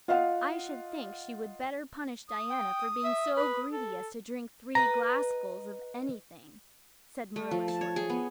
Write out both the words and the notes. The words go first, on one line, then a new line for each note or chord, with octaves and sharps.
"I should think she would better punish Diana for being so greedy as to drink three glassfuls of anything," said Marilla shortly.
F4 D#5 F5 F#5
D#6
G5
E5
B4
A4
B4 D#5 A#5
A3
F3
A5
C#5
G#4
B3